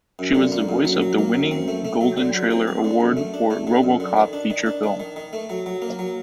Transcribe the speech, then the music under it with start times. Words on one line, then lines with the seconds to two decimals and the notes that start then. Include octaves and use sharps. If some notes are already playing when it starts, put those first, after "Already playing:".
She was the voice of the winning Golden Trailer award for RoboCop feature film.
0.19 F#2
0.35 D3
0.52 A#3
0.69 F#2
0.85 F#3
1.02 F#3
1.19 A#3
1.34 F#2
1.51 C4
1.68 A3
1.85 A3
2.01 F#3
2.17 D3
2.34 F#3
2.51 C4
2.67 C4
2.84 D3
3.00 F#2
3.17 A3
3.34 D4
3.51 A3
3.67 D3
3.83 F#2
4.00 D3
4.17 D#3
4.33 D4
4.50 D#3
4.66 D4
4.83 D#3
5.00 D#3
5.16 D#3
5.33 A3
5.50 F#3
5.66 F#3
5.82 A#3
5.99 F#3